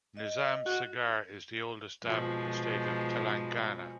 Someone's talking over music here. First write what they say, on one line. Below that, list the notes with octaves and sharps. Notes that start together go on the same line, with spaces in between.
Nizam Sagar is the oldest dam in the state of Telangana.
D#5
F#4
B2 F3 G#3